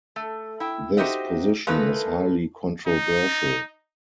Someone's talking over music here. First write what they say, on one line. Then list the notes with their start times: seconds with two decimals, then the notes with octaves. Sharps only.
This position is highly controversial.
0.16 A3
0.60 E4 G5
0.97 D#4 F#4 G4 C5 D#5 E5
1.67 G#3 A#3 D#4 E4 A4 B4
2.87 D#4